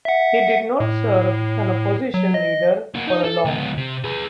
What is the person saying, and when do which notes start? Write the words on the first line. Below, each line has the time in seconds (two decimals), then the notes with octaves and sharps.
He did not serve as opposition leader for long.
0.05 E5 F#5
0.80 A2
2.14 F#3
2.34 D#5
2.95 A#3 F#4
3.07 D#4
3.24 A4
3.45 C#2 B3
3.77 C3
4.04 G#4 B4